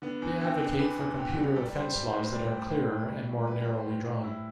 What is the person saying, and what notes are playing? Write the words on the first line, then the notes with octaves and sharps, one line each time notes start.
They advocate for computer offense laws that are clearer and more narrowly drawn.
D3 B3
E2
D3 C4
D3
E2 B4
E2
E2 G4
F#4
G3
G4
G3 A4
G3 C5
G3 C5
C5
A2 B4
C5
G3 D5
G3
A2 C5
A2
G3
A2
G3 B4
B4
G3
C5
A2
A2
A2 E4